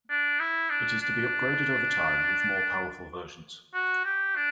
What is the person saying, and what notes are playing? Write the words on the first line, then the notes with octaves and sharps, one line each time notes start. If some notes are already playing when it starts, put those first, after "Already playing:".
It is to be upgraded over time with more powerful versions.
D4
E4
D4
D4
F#4
G4
D4